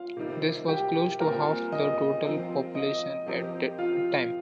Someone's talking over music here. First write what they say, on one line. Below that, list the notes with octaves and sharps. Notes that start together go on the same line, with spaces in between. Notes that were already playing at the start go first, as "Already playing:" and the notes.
This was close to half the total population at the time.
Already playing: F4 F5
C3 D#3 G3 D#4
G4 G5
A#2 G3 C4 A#4 A#5
D#5
F3 C4 F4 A#4
D#5
F3 C4 G4 A#4 D#5
F4 F5